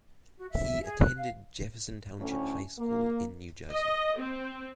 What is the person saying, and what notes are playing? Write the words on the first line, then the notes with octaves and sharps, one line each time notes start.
He attended Jefferson Township High School in New Jersey.
F#4
E5
G#4
F#6
F5
D2 A2 C#4
A#3
D#5
C4